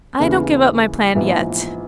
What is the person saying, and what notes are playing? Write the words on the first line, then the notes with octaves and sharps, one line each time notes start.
'I don't give up my plan yet.
D#2 C#3 E3 B3
A#1 G#2 E3 B3